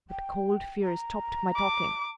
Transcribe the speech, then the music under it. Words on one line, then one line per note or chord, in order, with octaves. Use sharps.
But cold fear stopped my talking.
G5
A#5
D6